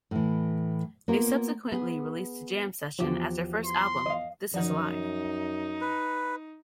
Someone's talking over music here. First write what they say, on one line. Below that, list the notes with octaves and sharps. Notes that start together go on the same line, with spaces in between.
They subsequently released the jam session as their first album, This Is Live.
A2 E3
A#3 B3 F4 A#4
B3 G#4
E2 F3 F#4 G4 G5
C6
D#5 F5
F#2 F3 D#4 F#5
B4